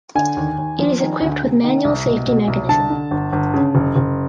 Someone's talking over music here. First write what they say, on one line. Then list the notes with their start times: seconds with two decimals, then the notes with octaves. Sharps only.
It is equipped with manual safety mechanism.
0.15 D3 G#5
0.37 D#2
0.58 D#2
0.79 F3
1.00 D#3
1.21 D2
1.42 C3
1.64 D#3
1.85 C2
2.06 B2
2.27 B2
2.48 C2
2.69 D3 A5
2.90 D3
3.11 G1
3.33 G1
3.54 C#3
3.75 F#1
3.96 F#1